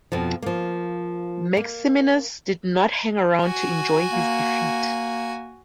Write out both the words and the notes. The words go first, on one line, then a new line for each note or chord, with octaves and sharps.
Maximinus did not hang around to enjoy his defeat.
F2 B2 F3
F3 A#3
A#3
F#4 G#5
A#3